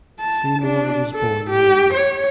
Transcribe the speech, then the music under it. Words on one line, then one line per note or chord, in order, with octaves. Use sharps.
Seymour was born in London.
A5
D4
A4
G4
C#5